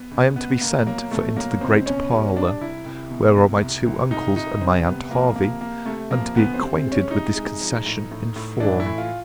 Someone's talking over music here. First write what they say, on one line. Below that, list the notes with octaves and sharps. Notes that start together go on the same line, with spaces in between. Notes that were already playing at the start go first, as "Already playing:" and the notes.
I am to be sent for into the great parlour, where are my two uncles and my aunt Hervey, and to be acquainted with this concession in form.
Already playing: B3
C#2
C#2 B3
B2 A#3
F#3 A#3
B2 A3
F#3 A#3
C#2 C4
B2 C#4
G3 C#4
G3 D4
C2 E4
C2
B2
C2
C2
C2
C2 D#4
C2 D#4
C2 C4
C3 B3
F3 A#3
C3 A#3
C3 A#3
C3 A3
F3 A#3
D2 B3
C4
C3
C4
G#3
C#4
C3 D#4
G#3
F3
A2
A2
A2
E3 D4
E4
A2
F4